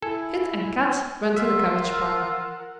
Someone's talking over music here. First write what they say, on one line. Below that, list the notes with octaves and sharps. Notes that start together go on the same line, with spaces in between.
Kit and Kat ran to the cabbage-pile.
E4 A4 G#5
F4 A#4 E5 F#5